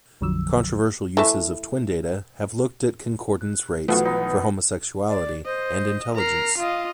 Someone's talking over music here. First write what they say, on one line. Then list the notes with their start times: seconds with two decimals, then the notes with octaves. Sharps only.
Controversial uses of twin data have looked at concordance rates for homosexuality and intelligence.
0.21 A#1 F2 D3 F3 F#3 E6
1.17 E3 A3
3.41 F#6
3.88 B1 E3 F3 A3 B3 F4 F#4 B4
4.05 B3 D#4
5.09 D5
5.45 C5 D#5
6.15 A#4 A#5 C7
6.58 F4 D#5 F5